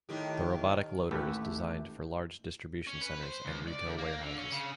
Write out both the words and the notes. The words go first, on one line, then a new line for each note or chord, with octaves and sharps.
The robotic loader is designed for large distribution centers and retail warehouses.
A2 D#3 G4
A1 D#2 A3 G4 B4 E5
C#4
B4
C5
C#2
D5
D2
A#3
D3
C#4
C#3